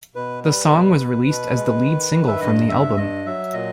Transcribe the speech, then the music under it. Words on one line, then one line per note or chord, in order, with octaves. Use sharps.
The song was released as the lead single from the album.
B2 B4
G3 B4
B2
B2
B2
G#3
D#3
D#3
E5
G2 D#5
G2 E5
G2 D#5
F#3 E5
A#2 D#5